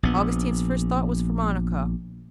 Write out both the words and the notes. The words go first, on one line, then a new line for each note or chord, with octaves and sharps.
Augustine's first thought was for Monica.
A#1 B3